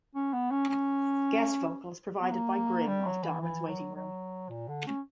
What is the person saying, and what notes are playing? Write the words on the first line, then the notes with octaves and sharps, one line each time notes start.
Guest vocals provided by Grimm of Darwin's Waiting Room.
C#4
B3
C#4
C#4
B3
A#3
G3
F#3
E3
E3
F#3
F#3
A#2
D3
C#4